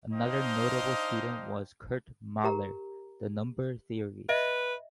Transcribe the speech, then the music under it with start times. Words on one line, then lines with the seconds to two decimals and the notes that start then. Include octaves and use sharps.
Another notable student was Kurt Mahler, the number theorist.
0.12 D4 D#4 C5 D#5 F5 G5
2.44 G4 A#4 A#5
4.29 B4 D#5 E5